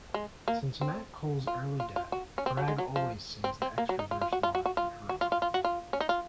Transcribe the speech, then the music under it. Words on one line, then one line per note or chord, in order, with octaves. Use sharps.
Since MacColl's early death, Bragg always sings the extra verse live in her honour.
G#3
A#3
C4
F4
F4
F4
F#4
C#4
C4
F#3
G#3
F#3
F3
C4
C4
A#3
F#3
D#4
F4
F4
F#4
F4
F#4
F#4
F4
F#4
F4
F4
F4
F#4
F4
C#4
D#4
F4